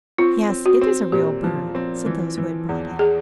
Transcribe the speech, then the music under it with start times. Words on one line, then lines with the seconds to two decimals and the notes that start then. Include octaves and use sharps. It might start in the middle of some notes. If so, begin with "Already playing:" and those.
'Yes, it is a real bird,' said those who had brought it.
0.18 C4 F4
0.49 C4
0.66 F#4
0.81 C4
1.12 A#2 G4
1.44 F3
1.75 C4
2.06 E3
2.38 E3
2.69 E2
2.99 G#4